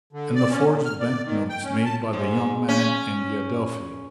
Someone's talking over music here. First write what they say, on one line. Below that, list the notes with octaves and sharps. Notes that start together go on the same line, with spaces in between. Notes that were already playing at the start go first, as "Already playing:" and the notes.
"And the forged banknotes made by the young man in the Adelphi?"
D3
D5
C#4
A#2
F6
D5
D#3
G5
C#4
A5
G#2
C#4